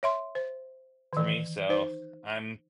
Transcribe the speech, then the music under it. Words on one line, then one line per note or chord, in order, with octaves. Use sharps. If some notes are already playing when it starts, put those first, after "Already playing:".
for me, so, I'm
C#5 E5 C6
C5
D#3 E3
D#4 C5